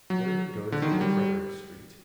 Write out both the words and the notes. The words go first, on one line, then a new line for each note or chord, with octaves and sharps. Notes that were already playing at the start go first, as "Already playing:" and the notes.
There he goes into Frederick street.
F#3
D3
D#3
F#3
G3